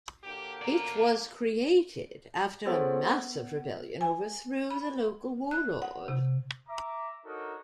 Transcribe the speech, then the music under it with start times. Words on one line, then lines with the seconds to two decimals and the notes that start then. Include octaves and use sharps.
It was created after a massive rebellion overthrew the local warlord.
0.23 D3 F#3 A#3 G4
0.62 A#4 D5 A#5
2.66 B3 F4 G#4 A4 C5 C#5
2.93 B3
4.01 G#5
4.71 B5
5.51 F#6
5.82 F#5
6.08 C3
6.68 E5 A#5 D6
7.25 D4 D#4 F#4 A4 A#4 C#5